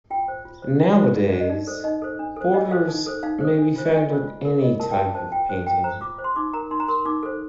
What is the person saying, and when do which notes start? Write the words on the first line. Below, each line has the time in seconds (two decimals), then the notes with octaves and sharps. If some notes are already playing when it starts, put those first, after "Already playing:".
Nowadays, borders may be found on any type of painting.
0.10 F4 G5
0.28 C5
0.45 F4
0.62 C5
0.80 F4
0.98 C5
1.15 F4 D5
1.29 C5 D5
1.40 D#5
1.50 D#4 D5
1.67 A4 C5
1.84 D#4 D#5
2.02 A4 C5
2.19 D4
2.36 A4 C5
2.54 D4 D#5
2.71 A4 C5 F5
2.88 D#4
3.06 A4 C5
3.23 D#4 F5
3.40 A4 C5
3.58 D4
3.76 F4 C5
3.87 D5
3.93 D4 D#5
4.10 F4 C5
4.28 F4
4.45 A#4
4.62 F4 D#5
4.80 A#4 A5
4.92 G5
4.97 F4 A5
5.15 C5 A5
5.32 F4 G5
5.49 C5
5.66 F4 G5
5.84 C5 A#5
6.01 F4 D6
6.19 C5
6.24 C6
6.36 D#4 D6
6.54 A#4 A#5
6.71 D#4 C6
6.80 A#5
6.88 A#4 C6
7.05 D#4 D6
7.23 A4 C5